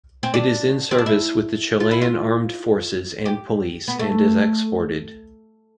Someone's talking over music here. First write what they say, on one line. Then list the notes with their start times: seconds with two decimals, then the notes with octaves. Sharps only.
It is in service with the Chilean armed forces and police and is exported.
0.23 C4
0.34 D4
0.91 C4
0.98 D4
1.06 E4
1.80 F4
1.91 E4
2.02 F4
3.26 G4
3.88 B3
3.99 A3